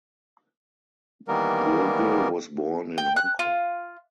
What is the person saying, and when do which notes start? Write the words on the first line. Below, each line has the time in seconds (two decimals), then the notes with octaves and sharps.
Burge was born in Hong Kong.
1.28 D#3 E3 G3 A#3 B3 A#4
2.98 G5
3.16 F#6
3.39 F4